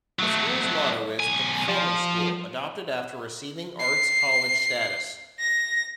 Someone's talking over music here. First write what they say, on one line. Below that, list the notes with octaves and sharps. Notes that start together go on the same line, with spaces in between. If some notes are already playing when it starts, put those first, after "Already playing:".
The school's motto is "The Performing School", adopted after receiving Arts College status.
F#3 A3
B1 G#5
F3
C7
A#6